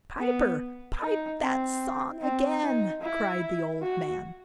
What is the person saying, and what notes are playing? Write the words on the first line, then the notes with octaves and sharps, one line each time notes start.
"Piper, pipe that song again!" cried the old man.
B3
D#4
C4
C4
D#4
E4
F#4